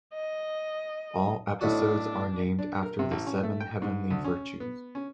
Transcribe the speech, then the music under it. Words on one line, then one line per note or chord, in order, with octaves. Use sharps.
All episodes are named after the seven heavenly virtues.
D#5
B1 A2 D4 F#4
D4
A#4
C3
A1
C#4
A3
G5
G#2
D2
C#4
B3
C#4